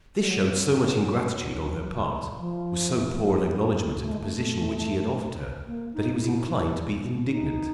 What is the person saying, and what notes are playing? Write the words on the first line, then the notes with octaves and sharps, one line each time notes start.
This showed so much ingratitude on her part,--was so poor an acknowledgment of the position which he had offered her, that he was inclined to be indignant.
G3
F#3
G3
F#3
F3
E3
F3
F#3
A3
G#3
A3
A#3
D#4
D#4
E4
D#4